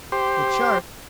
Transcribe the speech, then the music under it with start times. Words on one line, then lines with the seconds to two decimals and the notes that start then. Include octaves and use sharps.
Look sharp!
0.12 G4 C5